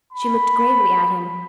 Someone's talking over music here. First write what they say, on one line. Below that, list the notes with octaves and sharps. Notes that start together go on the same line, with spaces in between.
She looked gravely at him.
B5